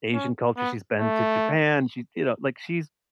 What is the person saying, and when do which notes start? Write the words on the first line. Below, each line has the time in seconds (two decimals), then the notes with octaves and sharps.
Asian culture. She's been to Japan. She, you know, like, she's
0.13 C#4
0.57 B3
1.00 A3